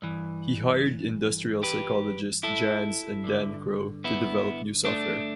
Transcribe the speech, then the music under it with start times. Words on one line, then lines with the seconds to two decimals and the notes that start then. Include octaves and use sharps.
He hired industrial psychologist Janz and Dan Crow to develop new software.
0.02 G2 E3
1.63 G4 B4
2.43 E4 A4
3.24 G2 D3
4.04 B3 E4
4.85 A3 D4